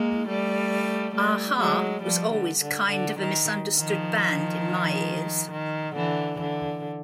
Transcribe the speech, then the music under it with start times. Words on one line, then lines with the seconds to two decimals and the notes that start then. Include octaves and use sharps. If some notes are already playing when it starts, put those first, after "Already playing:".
A-ha was always kind of a misunderstood band in my ears.
Already playing: G#3 A#3
0.28 G3 A3
1.15 G3 A3
1.59 F#3 G#3
2.03 F3 G3
2.31 D3
2.61 D3
2.90 D3
3.19 D#3
3.78 D#3 F3
5.52 D#3
5.96 D3 E3
6.39 D3